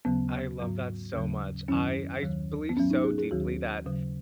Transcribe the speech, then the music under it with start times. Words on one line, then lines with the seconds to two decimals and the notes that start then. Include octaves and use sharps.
I love that so much. I I believe so deeply that
0.05 D#2 C#3 F#3 B3
0.60 G#2 F#3
1.14 D#2 C#3 F#3
1.68 F#2 D#3 F#3 C#4
2.22 D#2 D#3 F#3
2.69 B3
2.77 G#2 F#3 C#4
2.90 D#4
3.04 G#4
3.18 G#4
3.31 D#2 D#3 F#3 F#4
3.86 D#2 C#3 F#3